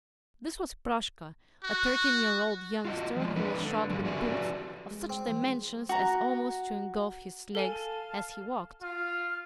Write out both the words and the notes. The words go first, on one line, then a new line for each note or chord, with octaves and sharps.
This was Proshka--a thirteen-year-old youngster who was shod with boots of such dimensions as almost to engulf his legs as he walked.
F#4
F4 F#4 D#5
F3 G#3
D3 E3 D4 E4 B4
D3
G2 F3 G#3
F#4 G4 B4 D5 E5 G#5
G#3
C4
E3
G#3
F#4 A#5
A4 F5 G#5 A5
F4 F6